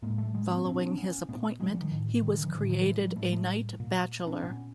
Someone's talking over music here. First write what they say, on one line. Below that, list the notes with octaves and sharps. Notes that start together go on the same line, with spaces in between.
Following his appointment, he was created a knight bachelor.
A2 G#3 A#3
G3 A3
F#3 G#3
A#3 C4
A#2 C4 D4
C4 D4
B3 C#4
A#2 A3 B3
F#3 G#3
F3 G3
D#3 F3
A2 D#3
D#3
D3 E3
D#3 F3
A2 D3 E3
D#3 F3
E3 F#3
F3 G3
A2 G3 A3
G3 A3
A#2
C4 D4
A#2 B3 C#4